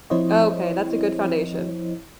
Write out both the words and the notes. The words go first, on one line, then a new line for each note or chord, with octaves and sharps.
Okay, that's a good foundation.
F3 C4 E4 C5 C#5 D#5